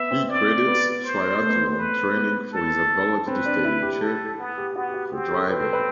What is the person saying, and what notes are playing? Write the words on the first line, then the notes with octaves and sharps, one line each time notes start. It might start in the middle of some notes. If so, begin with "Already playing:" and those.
He credits triathlon training for his ability to stay in shape for driving.
Already playing: B3 E5
C4
D5
B3
C5
A3
B3
A3
B4
B3
A4
C4 B4
D4
E4
G4
A4
B3
G4
B3 F#4
G4
F#4
C4 G4
A4
C4 B4
A4
B4